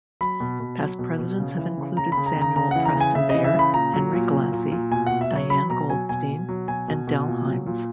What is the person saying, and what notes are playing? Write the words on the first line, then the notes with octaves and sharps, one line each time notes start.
Past presidents have included Samuel Preston Bayard, Henry Glassie, Diane Goldstein, and Dell Hymes.
F#3 B5
B2
B2
F#3
B2
B2
C#3
E3
C#3
C#3 A#5
B5
C#3
A#5
C#3
A#5
C#3 A#5
E3 F#5
A#5
C#3
G#5
C#3 E5
E3 D#5
E5
C#3 B5
A#2 A#5
F#3
A#2
F#3
A#2
A#2
B2 G#5
F#5
B2
E5
F#3 C#5
F#3 B5
B2 A#5
F#3 G#5
B2 G#5
B2
F#3
B2 G#5
B2
B2
A#2
F#3
A#2